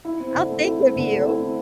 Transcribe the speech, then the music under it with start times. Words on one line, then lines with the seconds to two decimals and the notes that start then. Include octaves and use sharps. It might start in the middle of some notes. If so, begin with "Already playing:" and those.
I'll think of you.
0.05 E4
0.20 C4
0.35 D3
0.50 A3
0.65 E4
0.80 C4
0.96 D3
1.10 A3
1.25 E4
1.41 C4